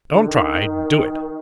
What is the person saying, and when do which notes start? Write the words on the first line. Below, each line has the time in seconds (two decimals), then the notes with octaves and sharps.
"Don't try--do it."
0.09 D3
0.27 D#3